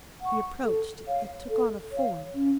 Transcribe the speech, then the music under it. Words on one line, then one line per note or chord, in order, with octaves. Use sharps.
He approached, it took on a form.
F#5 C#6
A4
C#5 F5
A4
C#5 F5
C#4